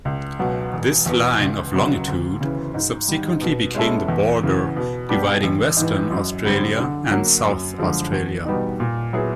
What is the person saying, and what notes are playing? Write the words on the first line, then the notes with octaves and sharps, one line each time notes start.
This line of longitude subsequently became the border dividing Western Australia and South Australia.
C#2
B2 F#3
E1
E2 B2
C#2
C#3 F#3
D2
C#3 E3
G#2
D#3 G3
B2
G#3 C#4 E4 A4
E2
C#3 E3
B2
G3 B3 D4 G4
A1
G#2 E3
F#2
D3 G3 C4
D3
F#3 A#3
F#2
D3 F3 G#3
E2
B2 G3 B3 D#4
A#2
F#3 B3 E4 G#4